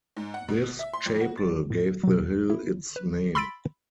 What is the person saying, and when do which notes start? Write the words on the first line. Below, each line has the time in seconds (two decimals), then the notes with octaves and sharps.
This chapel gave the hill its name.
0.17 G#2
0.34 F#5
0.49 B2
0.79 E5
0.94 C6
1.06 F2
1.21 F#4
1.37 A6
1.70 A2
2.03 B2 F#3
2.50 E4
2.96 B4
3.35 B5 C6 E6 A6 B6 D7